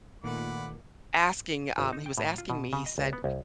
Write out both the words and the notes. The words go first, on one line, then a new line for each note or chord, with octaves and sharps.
asking, um he was asking me, he said,
A#2 D#3 A3 B3 F#5 B5 D6
G#1
D#4
G5
A2
F4
B2
C#3
D#5
C#2
B3
C2